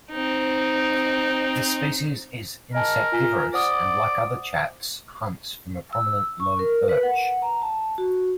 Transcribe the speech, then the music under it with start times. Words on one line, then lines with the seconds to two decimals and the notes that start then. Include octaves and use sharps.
This species is insectivorous, and like other chats hunts from a prominent low perch.
0.12 C4 D#4
2.75 A#4 D#5 G#5 A5
3.12 F4 G#5 B6
3.53 C5 D5 F#5 D#6
5.93 E6
6.40 C#6
6.59 A#4
6.89 B4
7.03 F#5
7.42 A#5
7.62 A5
7.98 F#4